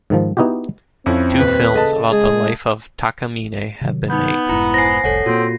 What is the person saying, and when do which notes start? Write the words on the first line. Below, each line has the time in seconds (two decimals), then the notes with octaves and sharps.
Two films about the life of Takamine have been made.
0.10 G#2 D#3 F3
0.37 B3 D#4 E4 F#4 G4
1.06 F2 C4 C#4 E4
1.39 D#1 B4
1.74 C#3 A4 D#5 A5
2.12 G#3 G#4
3.81 C3 D#3 F#3
4.10 B3 D#4 B5 G6
4.49 F1 G#2 E4 A#5
4.74 C5 G#5 A#6 C7
5.04 F1 C2 A4 C#5 F#5
5.26 A#2 A#3 C4 F4 F#4